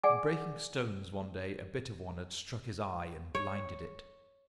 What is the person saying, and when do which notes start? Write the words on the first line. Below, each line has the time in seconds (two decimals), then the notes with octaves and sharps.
In breaking stones one day a bit of one had struck his eye and blinded it.
0.03 G#4 D5 F#5 G#5 D6
3.35 C#5